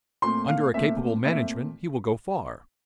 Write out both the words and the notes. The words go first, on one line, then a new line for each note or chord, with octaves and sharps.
Under a capable management he will go far.
A#2 A3 C4 C6
F5
A#2 A3 C4 E5
A#2 A3 C4 E5